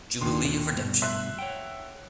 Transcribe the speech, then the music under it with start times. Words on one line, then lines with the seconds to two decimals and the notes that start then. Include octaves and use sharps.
Jubilee of Redemption.
0.21 D#2 A#2 D3 C6
0.74 D2 G2 B2
1.02 E5 C6 F#6
1.39 C#5 F#5 G5